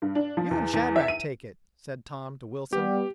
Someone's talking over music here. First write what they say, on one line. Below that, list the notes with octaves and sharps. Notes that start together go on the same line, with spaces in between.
"You and Shadrack take it," said Tom to Wilson.
G2
D4
F3
E2
E2
E5
D#7
G3 B3 G4